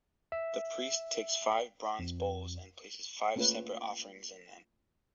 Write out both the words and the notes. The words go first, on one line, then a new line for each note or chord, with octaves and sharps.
The priest takes five bronze bowls and places five separate offerings in them.
E5
F2
A3 A#3 C#4 F4 G#4 B4